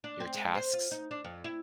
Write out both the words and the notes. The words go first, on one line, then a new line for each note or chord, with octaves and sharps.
your tasks.
D4
C4
G#3
C5
F4
D#4
D4
F2
E4